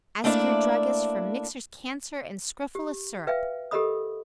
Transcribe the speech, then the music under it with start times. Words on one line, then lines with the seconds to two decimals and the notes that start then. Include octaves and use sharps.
Ask your Druggist for MIXER'S CANCER & SCROFULA SYRUP.
0.24 A3 A#3 D4 E4 D5
2.75 G4
3.27 B4 E5 F5 G5
3.71 G4 A4 A#4 D#5 B5 D#6